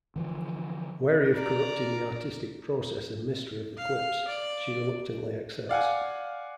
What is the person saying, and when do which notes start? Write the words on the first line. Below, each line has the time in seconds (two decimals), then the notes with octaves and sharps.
Wary of corrupting the artistic process and mystery of the clips, she reluctantly accepts.
0.16 D3 E3 F3
1.34 D4 A#4 D5 A#5
3.77 F5
4.27 D5
5.69 D5 F5 F#5 G#5